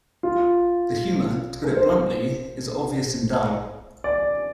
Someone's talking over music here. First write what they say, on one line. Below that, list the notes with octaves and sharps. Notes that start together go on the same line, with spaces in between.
The humor, to put it bluntly, is obvious and dull...
F4
A#4
C5
D5